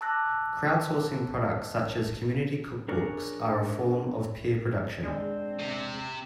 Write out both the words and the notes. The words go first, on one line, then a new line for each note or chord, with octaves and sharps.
Crowdsourcing products such as community cookbooks are a form of peer production.
A5 D6 E6 F#6 A#6
D4 G#4 A#4 C#5
G#3 C4 D4
C3